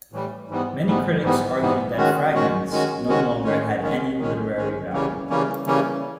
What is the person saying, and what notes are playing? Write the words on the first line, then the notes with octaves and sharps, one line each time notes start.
Many critics argued that "Fragments" no longer had any literary value.
A2 E3 G3
G#2 E3 G3 B3
G#2 E3 G3 B3
G#2 E3 G3 B3
G#2 E3 G3 B3
D#3 G#3 C#4 F#4
D#3 G#3 C#4 F#4
D#3 G#3 C#4 F#4
D#3 G#3 C#4 F#4
D#3 G#3 C#4
D#3 G#3 C#4
D#3 G#3 C#4
D#3 G#3 C#4
C#3 E3 G3 A#3 C#4
C#3 E3 G3 A#3 C#4
C#3 E3 G3 A#3 C#4